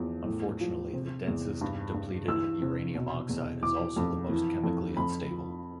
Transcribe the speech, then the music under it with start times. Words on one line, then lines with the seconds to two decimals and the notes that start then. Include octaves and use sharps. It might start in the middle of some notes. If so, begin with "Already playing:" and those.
Unfortunately, the densest depleted uranium oxide is also the most chemically unstable.
Already playing: E2 F3
0.26 A2
0.60 F3
0.93 C3
1.27 E2
1.61 G2
1.94 G2
2.28 E3 E6
2.62 C3
2.95 B2
3.29 E2
3.62 E3 D6
3.97 F2
4.29 E3
4.64 F2
4.97 F2 B5
5.30 F3